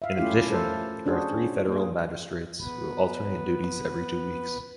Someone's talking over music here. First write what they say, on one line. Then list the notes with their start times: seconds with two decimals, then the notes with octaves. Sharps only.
In addition, there are three federal magistrates who alternate duties every two weeks.
0.02 E5 F5
0.18 A3 C#4 E4 F4 G4 F5
0.50 A3 A4 A#4 C5
1.06 C#4 D4 F#4 G#4 C5
1.68 A#3 G#4
2.61 B3 B4